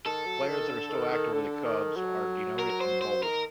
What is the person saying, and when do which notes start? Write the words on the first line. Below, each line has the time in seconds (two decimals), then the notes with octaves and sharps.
Players that are still active with the Cubs are denoted in bold.
0.05 D#3 A4
0.26 F#3
0.40 F#3
0.48 D#3
0.68 D3
0.91 D#3
1.12 D#3
1.33 D3
1.65 D#3
1.97 F#3
2.59 A#4
2.70 A#4
2.81 C5
3.01 C5
3.23 D#3 A#4